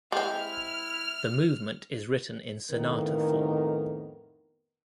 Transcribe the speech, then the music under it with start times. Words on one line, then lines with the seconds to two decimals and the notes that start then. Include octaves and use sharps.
The movement is written in sonata form.
0.12 G#3 C4 E4 G4 F6
2.70 F2 A2 D#3 B3 A#4